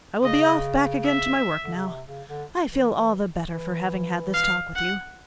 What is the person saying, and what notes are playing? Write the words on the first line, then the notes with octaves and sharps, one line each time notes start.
I will be off back again to my work now; I feel all the better for having had this talk with you.
C#3 D#5
E5
D3
C#3
C3
C#3
D3
E3
E3
E3
F5
F#5